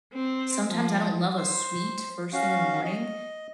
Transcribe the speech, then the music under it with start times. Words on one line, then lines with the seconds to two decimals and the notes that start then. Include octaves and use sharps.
sometimes I don't love a sweet first thing in the morning,
0.13 C4
0.69 F3
1.37 C5
2.33 C#4 F#4 F5
2.84 D#5